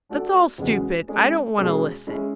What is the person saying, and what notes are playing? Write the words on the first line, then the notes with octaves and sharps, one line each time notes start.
That's all stupid, I don't want to listen.
A3 D4 F#4 A4 D5
E2 C#3 G#3 C#4 F#4
G#3 C#4 G#4
B2 G#3 C#4 G#4
G#3 C#4 E4